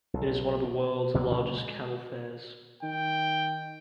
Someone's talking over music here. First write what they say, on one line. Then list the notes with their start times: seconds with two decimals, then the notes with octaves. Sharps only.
It is one of the world's largest camel fairs.
0.14 B1
0.64 B2
1.14 A1 B2 F#3 A#3
1.31 A#2 C#3 F#3 A#3
1.56 G#3
2.83 D#3 G5